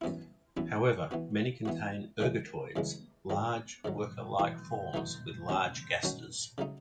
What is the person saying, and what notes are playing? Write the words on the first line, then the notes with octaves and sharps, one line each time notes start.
However, many contain ergatoids, large, worker-like forms with large gasters.
F#2 E3 B3 E4
F#2 E3 B3 E4
E3 B3 F#4
E3 B3 F#4
F#2 C#3 E3 G#3
F#2 C#3 E3 G#3
G#2 D#3 F#3
G#2 D#3 F#3
E3 A3 D#4 F#4
E3 A3 D#4 F#4
D#3 F#3 C#4 F#4
D#3 F#3 C#4 F#4
C#3 F#3 A3 D#4